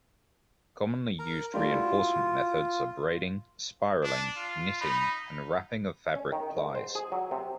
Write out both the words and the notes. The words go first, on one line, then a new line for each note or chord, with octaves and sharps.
Commonly used reinforcement methods are braiding, spiraling, knitting and wrapping of fabric plies.
A#4 A#5
G3 A3 F4 D5
E4 F#4
D4
F4
D#4 B5
C#4
D#3
G#2
C5
G#4
F#3
C3